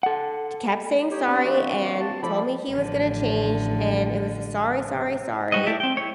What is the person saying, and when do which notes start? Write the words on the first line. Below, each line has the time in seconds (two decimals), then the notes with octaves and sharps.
kept saying sorry and told me he was gonna change, and it was a, "Sorry, sorry, sorry."
0.03 A4 F#5
1.11 D#4 G4 C#5
1.26 C4 D4 B5
1.43 E3 A#3 F#4
2.01 A5
2.23 F3 A3 A4 D5 B5
2.71 A1 D3 F3
5.52 G3 F#4 D#5
5.67 A3 E4 G4 D5 E5
5.80 C4 G5
5.97 E4 C#5